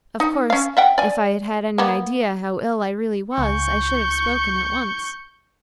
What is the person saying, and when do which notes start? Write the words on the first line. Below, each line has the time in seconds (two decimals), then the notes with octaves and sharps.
'Of course, if I had had any idea how ill I really was, I should have spoken at once.'
0.20 D#4
0.50 C#4 F5
0.77 E5 F#5 G5
0.98 D5 G#5
1.78 A#3 B3
3.38 C#2 C#6 G6